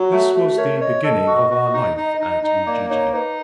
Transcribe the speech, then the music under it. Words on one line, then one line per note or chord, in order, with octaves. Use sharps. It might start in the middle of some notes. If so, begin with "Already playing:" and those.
This was the beginning of our life at Ujiji.
Already playing: F#3 F#4
A3
A3
A#4 C#5
C#5 D#5
A4 D#5
F#4
F#4
D#4
D#4
D#4
D#4
A#3 D5
D#4 C#5
D#4 B4 C5